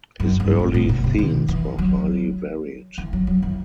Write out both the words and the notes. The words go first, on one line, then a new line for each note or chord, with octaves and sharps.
His early themes were highly varied.
F#2
G2
A2
A2
B2
C3
D#3
E3
F#3
E3
F#3
F#3
E3